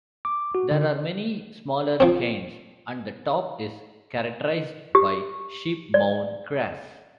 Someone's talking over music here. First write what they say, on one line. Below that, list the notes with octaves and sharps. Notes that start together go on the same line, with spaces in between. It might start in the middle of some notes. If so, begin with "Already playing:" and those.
There are many smaller cairns and the top is characterised by sheep-mown grass.
D6
F#4
D3
F3 C4
G4
D5